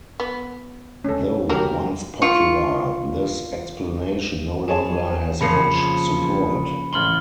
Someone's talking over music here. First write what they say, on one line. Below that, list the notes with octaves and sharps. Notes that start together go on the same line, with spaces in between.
Though once popular, this explanation no longer has much support.
B3
C#4 A4
G3 F#4 G4 A#4
F4 C#6
G#4 C#5 A5 E7
F2 C#3 F3 A#3 B5 C7 C#7
A1 C6 F6 F#7 G7